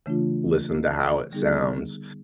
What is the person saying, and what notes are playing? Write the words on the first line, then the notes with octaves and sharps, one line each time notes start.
listen to how it sounds.
C#3 E3 A3 D4 F4
D3 G3 B3 D#4 G#4